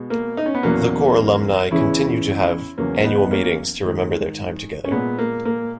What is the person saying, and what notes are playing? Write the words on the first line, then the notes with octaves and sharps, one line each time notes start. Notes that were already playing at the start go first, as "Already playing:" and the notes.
The corps alumni continue to have annual meetings to remember their time together.
Already playing: B2 G#3
A#3
D#4
C#4
B3
E2 B2 F#3 A#3 C#4
E2 C#3 E3 G#3 C#4 E4
E2 C#3 F#3 A#3 C#4
B3 D#4
A#3 C#4
G#2 D#3 G#3
C#4
A#2 G#3 B3
A#3
A#3